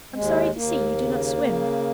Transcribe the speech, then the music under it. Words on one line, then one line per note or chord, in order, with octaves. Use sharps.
I'm sorry to see you do not swim.
D#2 G#3
D#2 A#3
C#3
C#3